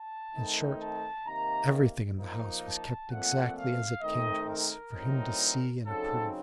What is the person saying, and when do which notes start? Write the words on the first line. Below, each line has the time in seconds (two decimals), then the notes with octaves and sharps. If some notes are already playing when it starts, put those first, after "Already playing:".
In short, everything in the house was kept exactly as it came to us, for him to see and approve.
Already playing: A5
0.34 D#3 A3 C4 D#4
0.80 A5
1.26 C3 D#3 A#3 A#5
2.18 F3 A#3 D#4
2.64 A5
3.10 A#2 F3 A3 C4 F#5
3.56 F5
4.01 D#3 A3 C4 D#4 D#5
4.48 A#4
4.94 A2 F#3 C4 D#4
5.86 C#3 F#3 C4 D#4 A4